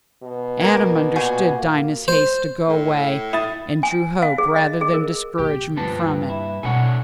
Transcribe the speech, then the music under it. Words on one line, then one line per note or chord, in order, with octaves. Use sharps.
ADAM understood Dinah's haste to go away, and drew hope rather than discouragement from it.
B2
A#3 A#4
A#2 F#4 G#5
A#3
C5
A2
E4 D#6 A6
G#5
F5
G#4
D#5
G#4
A#4
C3 A#3 G4
D2 G2 F3 B4 A5
E4
B2 G#3 A3 D4 C#5 F#5 G#5